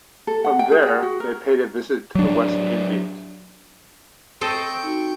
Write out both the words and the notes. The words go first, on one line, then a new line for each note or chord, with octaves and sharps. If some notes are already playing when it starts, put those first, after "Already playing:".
From there, they paid a visit to the West Indies.
A4
F#5
G5
G#4
F#5
F#4
A#4
F#3 D4
C4 A4 D#5 G5 C#6
D#4 F#4